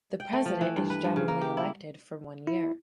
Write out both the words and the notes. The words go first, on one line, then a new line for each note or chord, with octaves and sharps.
The president is generally elected for one year.
G5
A3
F3
E3
G2
B4
G2
C#3
A#3
G4
E4
E4